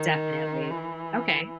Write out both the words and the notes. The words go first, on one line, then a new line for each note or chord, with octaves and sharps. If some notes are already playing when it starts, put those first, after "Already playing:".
definitely, okay.
Already playing: D#3
E3